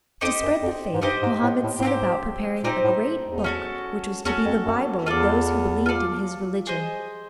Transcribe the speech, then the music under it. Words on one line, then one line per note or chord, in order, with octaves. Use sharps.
To spread the faith Mohammed set about preparing a great book which was to be the bible of those who believed in his religion.
F2 D#4 G4 C5 D#5
F#2
F2
G#2
G2 D#4 G4 C5 D#5
G#2
A2
A2
A2
G#2 C4 D#4 G4 C5
A#2 C4 D#4 G4 C5
A2
E2
C#4 F#4 A4
E2 C#4 F#4 A4
F2
F#2
E2 F4 A4 D5
F4 A4 D5
G#4 C5 D#5